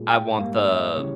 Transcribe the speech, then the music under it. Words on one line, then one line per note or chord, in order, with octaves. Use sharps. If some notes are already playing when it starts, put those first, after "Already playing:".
I want the the
Already playing: A#2 G#3
G5
G#2 G3 A#3 F5
E5
C#3 E3 G3 C#5